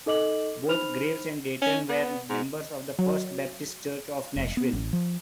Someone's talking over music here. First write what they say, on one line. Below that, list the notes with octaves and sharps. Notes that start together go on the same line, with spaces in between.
Both Graves and Dayton were members of the First Baptist Church of Nashville.
D#4 A4 D#5 D6 F#7
D#4 C5 B5 F6 F7
C#4
B3
G#2
F#3
F1
B3
A1
F3